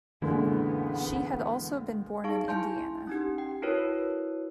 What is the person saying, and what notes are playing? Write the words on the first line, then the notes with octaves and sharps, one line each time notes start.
She had also been born in Indiana.
C#2 F#2 A#2 D3 E3 B3
D#4 G#4 F5 A5 C#6
E4 G#5 A5 C6 G6
C#4 D#4 G4
G5
E4 F#4 A#4 B4 C#5